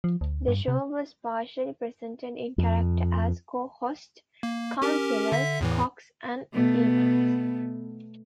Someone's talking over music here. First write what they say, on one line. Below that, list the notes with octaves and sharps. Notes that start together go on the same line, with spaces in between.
The show was partially presented in character as 'co-hosts' Councillors Cox and Evans.
F3
D2
G2
C3
F2
A#3
C#4 G4 A#4
D3 E5 B6
E2 A2 E3
B2 A3 B3